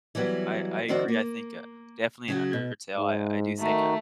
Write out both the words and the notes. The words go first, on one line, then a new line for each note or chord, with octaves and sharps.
I I agree, I think, uh, definitely in Undertale, I I do think, uh,
E3 F#3 G3 B3
D#3 F3 C4 D4 F#4 D5
A#3
C#3 F#3 F#4
B2
G#2
D#3 A3 D#4 F#4